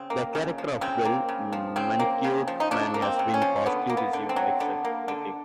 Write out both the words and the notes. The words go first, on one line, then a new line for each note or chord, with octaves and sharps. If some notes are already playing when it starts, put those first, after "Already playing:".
The character of the Well-Manicured Man has been positively received by critics.
Already playing: C#3 C4
A#3
C#3
F3
C#3 C4
A#3
C#3
F3
C#3 C4
A#3
C#3
F3
D#4
C#3 D4
A#3
C4
C#3
C#4
F3
D3 B3
A#3
B3
D3
C4
F#3
D3 B3
A#3
D3